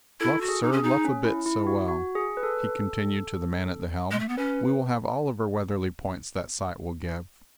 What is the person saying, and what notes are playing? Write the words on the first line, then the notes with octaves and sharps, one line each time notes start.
"Luff, sir, luff a bit, so, well," he continued to the man at the helm; "we will have all of her weatherly points that site will give."
E4 A4
F#4
G#4
D#4
C#4 G#4
D#4
C#4
E4
E4
F#4
F#4
G#4
B4
A4
G#3
A3
B3
C#4 B4